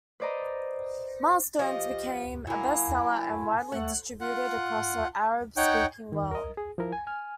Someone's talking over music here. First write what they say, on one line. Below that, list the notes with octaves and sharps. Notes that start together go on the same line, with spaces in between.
"Milestones" became a bestseller and widely distributed across the Arab speaking world.
B4 C5 D5 D#5 A#5 B5
F3 G4 D#5
F#3 A#3 E4 G#5
A3 F#5
F4 F#5
D#4 C#5 F#5 G5
D#3
A#4 D#5
G#4
F3 E4 A#4
G#5
G#5 F6